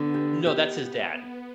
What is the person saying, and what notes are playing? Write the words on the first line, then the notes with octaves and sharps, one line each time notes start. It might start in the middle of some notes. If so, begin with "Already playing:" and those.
No, that's his dad.
Already playing: D3 B3
G4
G4